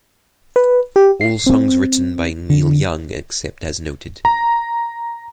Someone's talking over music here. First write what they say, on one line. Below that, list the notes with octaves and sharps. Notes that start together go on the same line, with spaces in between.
All songs written by Neil Young except as noted.
B4
G4
C7
C4
D3
A#5